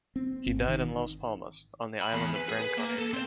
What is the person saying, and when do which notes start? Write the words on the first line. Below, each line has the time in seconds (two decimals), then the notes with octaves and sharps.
He died in Las Palmas, on the island of Gran Canaria.
0.16 C4
0.47 G#1
0.67 D#3
2.02 B5
2.13 E2
2.36 B4
2.49 G#4
2.62 B4
2.77 A#3
2.98 A4
3.13 C4